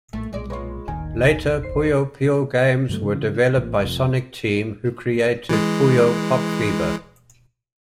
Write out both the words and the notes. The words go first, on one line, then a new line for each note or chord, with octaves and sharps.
Later Puyo Puyo games were developed by Sonic Team, who created "Puyo Pop Fever".
A#1 A2 A3
B1 A#2 G#3 D5
G#3 F4 B4 C#5
D#1 A1 D#2 D#3 G#5
G1 C5 C7
G2 D3 F#3 A3
C#3 E3
A1 A#2
F1 C2 F2
E3 G#3